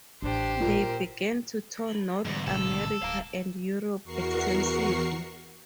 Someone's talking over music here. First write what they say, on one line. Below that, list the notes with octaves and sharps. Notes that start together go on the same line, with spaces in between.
They began to tour North America and Europe extensively.
A1 D4 G4 C5
A#2 A#4
E2 G#2 D3 E3 G3 G#3
A1 B2 A4
D1 F5 A#5
E2 F#4 A#4 C#6 C7